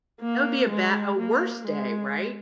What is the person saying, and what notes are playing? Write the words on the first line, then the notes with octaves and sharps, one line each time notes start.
that would be a bad a worst day, right?
A#3
G#3
A#3
G#3